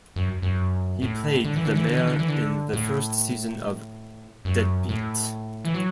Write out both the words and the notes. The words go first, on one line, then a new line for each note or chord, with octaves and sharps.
He played the mayor in the first season of "Deadbeat".
F#2
F#2
A2
D3
E3
D3
E3
D3
E3
D3
E3
D3
A2
F#2
A2
E3
F#3